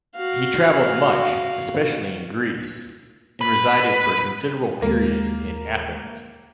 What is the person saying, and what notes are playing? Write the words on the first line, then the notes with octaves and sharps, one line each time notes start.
He traveled much, especially in Greece, and resided for a considerable period in Athens.
F#4 F5
B4
D#2 G#3 A#3